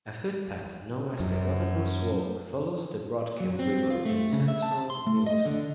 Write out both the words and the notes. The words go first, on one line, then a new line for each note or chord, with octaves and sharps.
A footpath known as the Governors Walk follows the Broadkill River in central Milton.
F#2
F#3
C4
F4
A3
C#3
E5
A5
C6
A3
D#5
D3